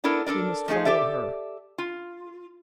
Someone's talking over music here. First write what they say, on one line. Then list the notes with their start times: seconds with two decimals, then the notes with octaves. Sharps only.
"We must follow her."
0.04 B3 D4 E4 A4 A#4
0.26 D4 A4 A#4 D5
0.68 F3 A3 D#4 G#4
0.85 G4 A4 D5 E5
1.78 F4